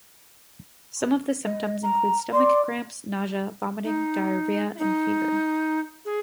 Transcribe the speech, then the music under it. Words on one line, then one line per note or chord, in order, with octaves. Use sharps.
Some of the symptoms include stomach cramps, nausea, vomiting, diarrhea, and fever.
D#5
A#5
D5 C6
D#4
D#4
G#4